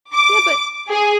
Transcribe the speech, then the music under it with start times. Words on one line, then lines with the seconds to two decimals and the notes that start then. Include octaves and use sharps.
Yeah, but
0.13 D6
0.88 G#4